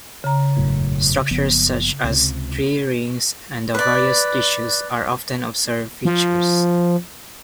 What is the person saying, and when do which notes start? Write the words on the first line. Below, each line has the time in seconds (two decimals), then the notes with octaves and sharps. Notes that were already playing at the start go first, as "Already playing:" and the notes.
Structures such as tree rings and the various tissues are often observed features.
0.24 C#3 A#5
0.57 E1 F#2 A2
1.31 F#1 F3 B3
2.04 C#2 C3
3.75 B4 D5
6.05 F3